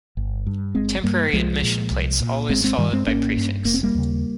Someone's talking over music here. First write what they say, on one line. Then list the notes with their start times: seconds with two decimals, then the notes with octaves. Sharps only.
Temporary admission plates always followed by prefix.
0.17 G1
0.47 G2
0.75 G1 G#3 C4
1.04 G2 G3 A#3
1.33 C2 F3 G#3
1.63 A#2
1.91 C2
2.20 A#2
2.49 G#1 G#3 C4
2.64 G#3 C4
2.78 G2 D#3 G3
2.93 G#3 C4
3.07 G#1 A#3 C#4
3.37 G2
3.65 F1 A#3
3.74 C4
3.83 G3 A#3
3.95 D#2 C#3